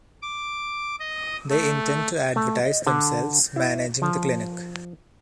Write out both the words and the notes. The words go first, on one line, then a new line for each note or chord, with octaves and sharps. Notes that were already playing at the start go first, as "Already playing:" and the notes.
They intend to advertise themselves managing the clinic.
D6
D#5
A3
A3
D#5
D3
E4
F3